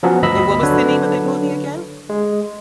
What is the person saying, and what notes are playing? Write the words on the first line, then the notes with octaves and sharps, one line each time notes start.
And what was the name of that movie again?
F3 F#3 B3 C#4
G1 D2 D#5 B5 E6
D3 F#3 D4 B4 C#5
G#3